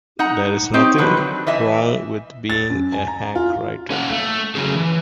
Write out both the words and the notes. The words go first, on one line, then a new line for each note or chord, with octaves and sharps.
There is nothing wrong with being a hack writer.
D#4 F#5 A#5
C4 D#4 G4 C#5
D3 D#3 F3 F#3 B4
F#3
E3 D#5 E5 G#5
A6
F#2
G#5
A#5
F4
C#4 C#5 F5 F#5
A3
C#3 F#3 C#4 G#4
E3